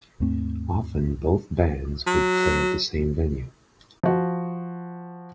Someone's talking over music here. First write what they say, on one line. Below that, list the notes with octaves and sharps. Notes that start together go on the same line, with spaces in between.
Often, both bands would play at the same venue.
D#2 G#2 A3 C4
F#3
F3 F#4